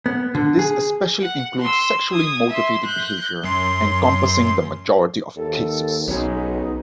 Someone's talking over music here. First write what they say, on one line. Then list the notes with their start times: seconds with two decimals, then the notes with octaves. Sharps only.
This especially includes sexually motivated behaviour, encompassing the majority of cases.
0.06 B3
0.35 D3
0.59 G#4
1.22 F#5
1.59 C6 E6
2.12 D#6 G#6
2.50 E5 C6
2.85 F#6 G6
3.44 F#2 C6
5.36 D#2 A4
6.08 B1 F#3 B3 C#4 D#4 G#4